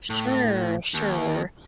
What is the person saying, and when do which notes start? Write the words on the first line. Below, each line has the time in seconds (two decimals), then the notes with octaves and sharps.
Sure. Sure.
0.10 A2
0.94 D#2